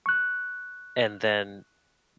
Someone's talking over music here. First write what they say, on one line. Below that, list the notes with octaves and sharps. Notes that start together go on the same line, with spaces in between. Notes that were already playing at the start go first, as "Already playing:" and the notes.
And then
C#6 F#6